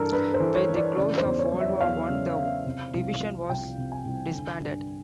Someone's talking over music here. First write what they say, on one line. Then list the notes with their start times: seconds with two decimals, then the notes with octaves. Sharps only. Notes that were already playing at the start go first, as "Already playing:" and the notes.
With the close of World War One, the division was disbanded.
Already playing: G2 E3 A4 A#4
0.12 G2 B4
0.34 C5
0.40 E3
0.55 C#5
0.69 E3
0.76 D5
0.97 C#3 D5
1.18 C5
1.25 E2
1.39 C#5
1.53 F#3
1.60 E5
1.81 E2 F5
2.09 C#3
2.37 E2
2.65 C3
2.94 C2
3.22 F3
3.49 C2 G5
3.77 C3
3.92 G#5
4.05 C2
4.34 D3
4.62 G2